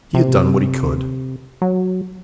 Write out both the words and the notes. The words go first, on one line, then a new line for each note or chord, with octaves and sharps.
He had done what He could.
C3
F#3